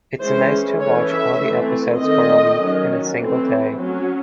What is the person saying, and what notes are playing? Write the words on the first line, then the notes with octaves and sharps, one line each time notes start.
It's nice to watch all the episodes for a week in a single day.
E3 G#3 C#4 C5
E3 A3 C#4 C#5
E5
E3 A3 C4
D#3 A3 C4 D#5
D#3 F#3 C#4
E3 A3 C4
F#3 C#4